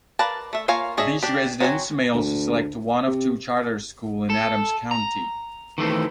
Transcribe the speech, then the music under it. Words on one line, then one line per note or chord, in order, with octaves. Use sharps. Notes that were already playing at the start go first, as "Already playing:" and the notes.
These residents may also select one of two charter schools in Adams County.
A#4 B4 D5 F5 A5
A3 E5
A#3 F4 C#5 F5 G#5
D4 G#4 C#5 D#5 E5
D4 G4
F#3 C4 F#4 A#4 G#5
D2
C3
A4
A#5
D#3 E3 A3 C4